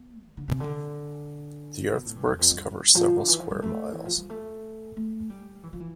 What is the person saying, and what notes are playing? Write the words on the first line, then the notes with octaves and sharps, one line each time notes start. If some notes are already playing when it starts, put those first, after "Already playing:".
The earthworks cover several square miles.
Already playing: B3
D3
D3
C3
D3
B2
A2
G2
E2
F2
G2
F3
D3
E3
F3
G3
A3
E3
F3
G3
A3
A3
G3
E3
F3
E3